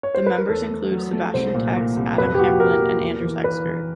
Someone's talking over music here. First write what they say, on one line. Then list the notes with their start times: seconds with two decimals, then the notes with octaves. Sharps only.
The members include Sebastian Tesch, Adam Kammerland and Anders Ekert.
0.03 C#5
0.15 C5
0.26 B4
0.38 A#4
0.49 E2 A4
0.70 A3
0.91 F#3
1.13 A3
1.34 C2 C5
1.54 A#2
1.76 A#2
1.97 C2
2.18 F2 B4
2.35 G4
2.39 A#3 F#4
2.60 F2 A#4
2.82 A#3
3.02 E2
3.24 E3
3.44 E3 B4
3.65 E3